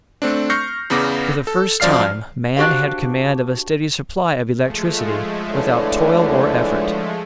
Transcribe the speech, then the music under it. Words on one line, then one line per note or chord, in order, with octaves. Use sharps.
For the first time man had command of a steady supply of electricity without toil or effort.
A3 C4 D4
C#6 F6 G6 A#6 C7 C#7
E2 C#3 B3 D6 A#6
A4
F#2 F3 D5 F5 F6 C7
D4 F#4 G4 C5 F5
F3 G#3 A3
D3 E3 C#5